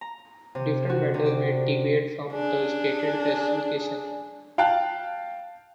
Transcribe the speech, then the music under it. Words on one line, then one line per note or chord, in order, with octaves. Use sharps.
Different vendors may deviate from the stated specification.
A#5
C3
F#4
C3
D5
D4 G#4
F5 G5 A5 F#6